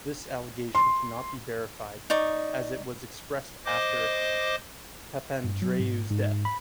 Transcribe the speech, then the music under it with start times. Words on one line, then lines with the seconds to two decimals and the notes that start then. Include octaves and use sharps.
This allegation cannot be verified, as it was expressed after Papandreou's death.
0.75 C6
2.10 D#4 D5 C#6 D#6
3.65 C5 D#5 D6
5.44 G2
5.62 F#3
5.80 G#2
6.11 G#2
6.45 B5